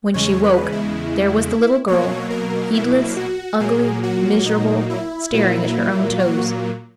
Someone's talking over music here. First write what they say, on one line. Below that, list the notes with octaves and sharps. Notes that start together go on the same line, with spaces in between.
When she woke, there was the little girl, heedless, ugly, miserable, staring at her own toes.
E2 C#3 G#3 C#5
B4
E4
B2 F#3 A#3 C#5
A#4
E4
F#4
A#2 F#3 A#3 G#4
F#4
D#4
E4
A#2 F#3 A#3
F#4